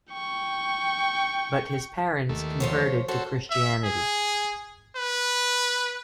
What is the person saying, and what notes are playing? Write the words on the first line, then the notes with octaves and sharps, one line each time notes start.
But his parents converted to Christianity.
G5 C#6
D#2 A3
F3 C5 C#5
F#4 A4 C5 C#5
E5
G#4
B4